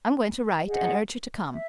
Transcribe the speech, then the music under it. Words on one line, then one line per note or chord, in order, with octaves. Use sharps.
I'm going to write and urge her to come.
G#4 D#5 F#5
E5